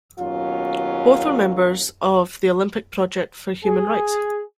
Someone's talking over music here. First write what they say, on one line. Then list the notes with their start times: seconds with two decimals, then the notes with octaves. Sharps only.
Both were members of the Olympic Project for Human Rights.
0.19 D#2 B2 F#3 C#4 F4
3.65 G#4